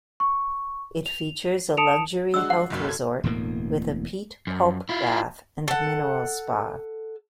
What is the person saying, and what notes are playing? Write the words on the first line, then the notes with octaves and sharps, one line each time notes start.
It features a luxury health resort with a peat pulp bath and mineral spa.
C#6
F7
A5 D#6 C#7 D7 E7 F7
G#3 D4 F#4 E6
F#5
F#1 B1 F#2
A4 G#6
E1 D2 A2 A#3
F#2
E4 F4
A4 F#5